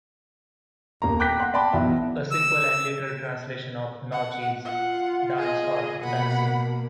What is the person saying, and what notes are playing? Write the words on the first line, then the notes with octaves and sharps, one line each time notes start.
A simple and literal translation of Nautch is "dance" or "dancing".
D#1 A#3 A#5
G5 D6 F#6 G6 A#6 B6
F#5 C6 F#6
D5 G5 A5 B5 C6 D6
B1 E3 B3 D5 E5
E6
F#5
F4 F#5
G#4 D#5
B2 A#3 F#5 B5